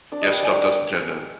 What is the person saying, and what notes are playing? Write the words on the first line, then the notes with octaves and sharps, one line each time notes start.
yeah, stuff doesn't tend to
D4 D5
D#5
G3
G5
G3 G#5
G5